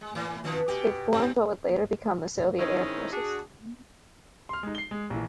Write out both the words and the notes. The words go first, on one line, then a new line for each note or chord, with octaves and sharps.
It formed what would later become the Soviet Air Forces.
G#3
A2 E3
B2 D#3 F3
B2 G4
G#2 C4
D#3 G#3 C4 C#4 D#4 E4
D4 F#4 G#4
C6 F6
G#3 D#4
C7 G7
G#3
A#1 E3